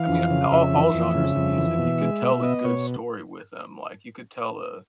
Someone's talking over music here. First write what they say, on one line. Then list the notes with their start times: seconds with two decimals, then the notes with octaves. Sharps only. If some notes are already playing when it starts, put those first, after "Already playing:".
I mean, all all genres of music, you could tell a good story with them, like, you could tell a
Already playing: E3 F5
0.09 F2
0.31 C#3
0.51 F2 E5
0.73 E3
0.94 F2
1.15 C#3
1.36 F2
1.58 E3
1.79 B2
2.01 G#3
2.22 B2
2.43 B3 D#5
2.64 B2 C#5